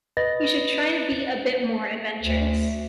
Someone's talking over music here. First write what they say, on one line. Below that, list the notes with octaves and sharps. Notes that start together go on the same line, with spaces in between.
You should try to be a bit more adventurous.
B4 D#5 A6 A#6
D2